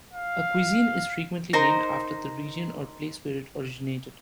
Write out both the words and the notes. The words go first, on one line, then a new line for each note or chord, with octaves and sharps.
A cuisine is frequently named after the region or place where it originated.
F5
D#4 A#4 C5 A#5